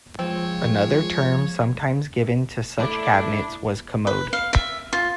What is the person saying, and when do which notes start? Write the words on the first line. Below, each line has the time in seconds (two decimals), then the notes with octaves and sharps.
Another term sometimes given to such cabinets was commode.
0.19 F3 G#3 C4 C#5
2.80 A3 D4 E4 D5 A5
4.07 B4
4.33 F5
4.53 E5
4.93 F4